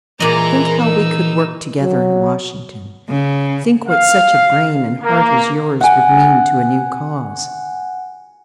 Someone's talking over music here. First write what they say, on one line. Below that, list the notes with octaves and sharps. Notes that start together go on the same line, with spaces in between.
Think how we could work together in Washington--think what such a brain and heart as yours would mean to a new cause.
A#2 E3 G#3 D#5 A#5
D#4 E6
F#3
C#3
F5
A#3
F#5 G#5